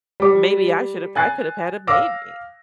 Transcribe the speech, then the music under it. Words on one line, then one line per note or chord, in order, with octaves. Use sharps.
maybe I should have I could have had a baby
G3 D6
G#5 F#6 A6 C7
F5 D6 E6 A#6